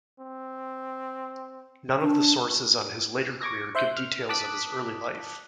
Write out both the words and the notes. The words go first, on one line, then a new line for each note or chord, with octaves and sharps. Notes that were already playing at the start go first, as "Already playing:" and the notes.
None of the sources on his later career give details of his early life.
C4
D4
C#6 D6 G#6 A#6
C5 E5 C6 F#6 G6
F6
A5 D6 D#6 F#6 B6